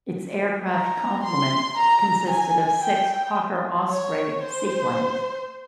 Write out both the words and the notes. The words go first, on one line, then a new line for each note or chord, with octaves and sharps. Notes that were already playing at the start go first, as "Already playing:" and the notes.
Its aircraft complement consisted of six Hawker Osprey seaplanes.
A#5
C6
A#5
G#5
G5
C#5
C5